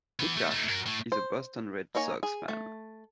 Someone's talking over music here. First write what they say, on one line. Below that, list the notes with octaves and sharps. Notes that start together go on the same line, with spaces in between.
Lucash is a Boston Red Sox fan.
E3 B3
A3
A3 D#4
F#4 A#4
A2 A3
C5
A#3 D#4 C#5 G#5
G#4
A3